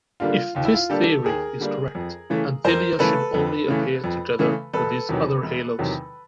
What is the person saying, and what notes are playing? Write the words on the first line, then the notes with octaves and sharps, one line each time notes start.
If this theory is correct, anthelia should only appear together with these other haloes.
D3 G3 A#3 D4 F4
D#2 F4
E4
F4
D3 G3 A#3 D4 G4 A4
D#2 G#4 A#4
D3 G3 A#3 D4
F2
C#3 E3 A3
F2 A#4 C5
C#3 E3 A3 A4 B4
F2
C#3 E3 A3
F2
C#3 E3 A3
E1 A4 B4
E2 C3 D#3 F#3
E1
E2 C3 D#3 F#3